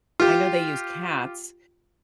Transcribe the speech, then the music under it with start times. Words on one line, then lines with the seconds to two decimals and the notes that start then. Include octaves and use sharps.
I know they use cats,
0.20 F4 G4